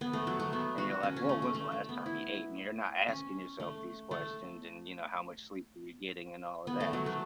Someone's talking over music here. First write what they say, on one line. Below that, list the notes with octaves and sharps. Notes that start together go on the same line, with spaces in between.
And you're like, "Woah. When's the last time you ate?" You're not asking yourself these questions and, you know, "How much sleep were you getting," and all of that,
B3
A3
F#3
A3
B3
F#4
C#4
C#4
A3
A3
A3
A3
B3
E4
C#4
A3
A3
B3
A3
F#3
A3